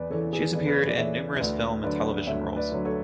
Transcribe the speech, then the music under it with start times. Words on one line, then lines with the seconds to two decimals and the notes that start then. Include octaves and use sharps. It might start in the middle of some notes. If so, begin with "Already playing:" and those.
She has appeared in numerous film and television roles.
Already playing: E2 B4 D5
0.10 C#3 E3 A4 C#5
0.32 G#4 B4
0.54 E2 B4 D5
0.67 B4
0.76 C#5
0.87 D5
0.97 C#3 E3 C#5 E5
1.40 D2 B4 D5
1.84 D3 F#3 B4 D5
2.27 D2 C#5 E5
2.56 B4 D5
2.71 D3 F#3
2.85 A4 C#5